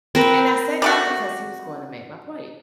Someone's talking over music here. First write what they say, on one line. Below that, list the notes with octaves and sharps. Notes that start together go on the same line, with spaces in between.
and I sat down because he was going to make my plate,
C4 A#4 B4
G3 A3 F#4